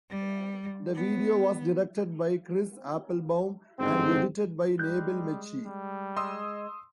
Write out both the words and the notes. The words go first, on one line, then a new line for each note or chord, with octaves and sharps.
The video was directed by Chris Applebaum and edited by Nabil Mechi.
G3
B3
G1 G#2 C4
G3 G#3 F#6 G6
G3
G#3 D#5 C6 D#6 E6